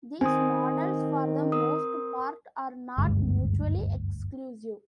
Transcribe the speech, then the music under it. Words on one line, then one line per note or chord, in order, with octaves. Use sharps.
These models, for the most part, are not mutually exclusive.
D#3 C4 G#5 D#6
A#4 D#6
F#1 D2 G2 G#3